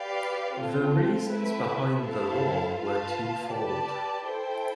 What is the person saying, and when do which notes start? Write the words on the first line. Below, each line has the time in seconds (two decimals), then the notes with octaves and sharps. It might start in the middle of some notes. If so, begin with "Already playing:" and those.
The reasons behind the law were twofold.
Already playing: G4 B4 D5 F5
0.56 C4 F4 A4
1.30 A3 C4 E4 B4 E5
2.04 E4 A4 C5 F5 A5
2.78 F4 B4 F5 A5
3.52 G4 B4 D5 A5
4.27 E4 A4 C5 G5